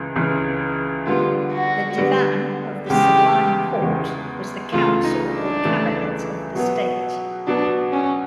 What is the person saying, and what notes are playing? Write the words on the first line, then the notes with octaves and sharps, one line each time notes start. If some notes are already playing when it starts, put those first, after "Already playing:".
The "divan of the Sublime Porte" was the council or Cabinet of the state.
Already playing: C#2 C#3 E3
C#2 C#3 E3
D3 G3 B3 F4
F#4
D3 G3 B3
E2 C#3 E3 G#3 G4
E2 C#3 E3 G#3
C#2 C#3 E3 A3 F4
D#4
D4
C#2 C#3 E3 A3
B2 F#3 B3
B2 F#3 B3 D4
C#4